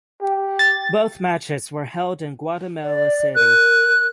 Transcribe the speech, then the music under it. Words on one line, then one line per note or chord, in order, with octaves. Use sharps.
Both matches were held in Guatemala City.
G4
A6
D5
A#4 F#6